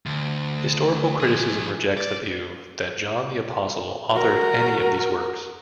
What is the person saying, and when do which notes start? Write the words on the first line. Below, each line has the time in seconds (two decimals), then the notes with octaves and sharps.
Historical criticism rejects the view that John the Apostle authored any of these works.
0.06 D2
1.20 F3 G#4
1.97 D5
4.13 F#4 A#4